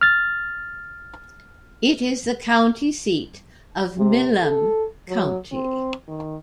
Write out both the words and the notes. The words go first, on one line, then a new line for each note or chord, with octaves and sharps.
It is the county seat of Milam County.
F6 A6
C3
A4
F#3
C4
D#3